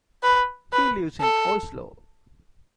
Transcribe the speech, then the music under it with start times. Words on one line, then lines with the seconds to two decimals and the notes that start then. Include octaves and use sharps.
He lives in Oslo.
0.23 B4
0.72 B4
1.21 A4